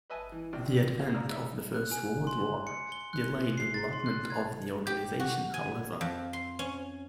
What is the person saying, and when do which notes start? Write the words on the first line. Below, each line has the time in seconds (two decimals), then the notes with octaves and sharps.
The advent of the First World War delayed development of the organisation, however.
0.10 B4 D#5 E5 G#5 A5
0.32 E3
0.53 C#2 C3 D4 F6
0.99 F2 F5
1.14 G#4 D5 A#5 E6 F6
1.29 A#3 D#4 E5
1.74 F#6
1.91 G#5
2.27 C6
2.67 C#7
2.92 G7
3.13 F#6
3.58 C7
3.74 A6
3.93 C6
4.06 F#6
4.30 G#6
4.87 G4
5.20 F#4
5.54 G#5
6.01 F2
6.33 C6
6.59 C#4